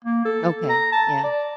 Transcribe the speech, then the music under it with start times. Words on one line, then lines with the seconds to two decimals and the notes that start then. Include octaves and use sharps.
Okay, yeah.
0.04 A#3
0.25 A4
0.70 A#5
0.92 A5
1.24 D5